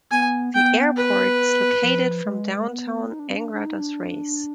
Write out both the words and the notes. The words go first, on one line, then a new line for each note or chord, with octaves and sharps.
The airport is located from downtown Angra dos Reis.
B3 G#5
B3 G5
B4
F3
G#3
G#3
B3
D#4
D4
C4
D4
D4
D#4
D4